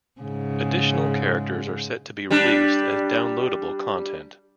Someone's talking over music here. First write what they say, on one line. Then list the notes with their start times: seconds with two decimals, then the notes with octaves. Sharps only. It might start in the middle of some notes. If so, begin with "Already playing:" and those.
Additional characters are set to be released as downloadable content.
0.22 G#2 C#3
2.31 G3 D4